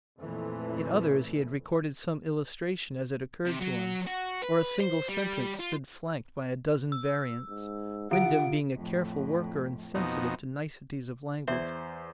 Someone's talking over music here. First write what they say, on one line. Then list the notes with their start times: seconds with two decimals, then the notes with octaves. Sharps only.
In others he had recorded some illustration as it occurred to him; or a single sentence stood flanked by a dozen variants--Wyndham being a careful worker and sensitive to niceties of language.
0.20 F2 A#2 E3 A3
3.45 C3
3.60 F#3
4.07 F#4
4.44 B4
4.80 C5
5.09 G3
5.60 F4
6.92 E6
7.49 G#2
8.11 D3 F4 F#5 D7
8.75 F2 A2
9.95 F2 B2 D#4
11.48 E2 C5 D5 E5